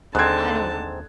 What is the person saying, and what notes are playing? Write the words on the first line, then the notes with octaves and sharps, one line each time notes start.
'I don't know.
D#2 G#2 D3 C4 A5 F#6 G#6